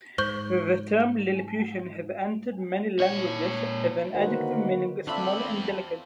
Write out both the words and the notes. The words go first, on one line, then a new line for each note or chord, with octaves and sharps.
The term "Lilliputian" has entered many languages as an adjective meaning "small and delicate".
G#2 C5 C#6 G6
A#2 C#5
D3 D#3 A#3 F#4 B4 C5
E2 A3 C4 D4 F4 D5 E5 B5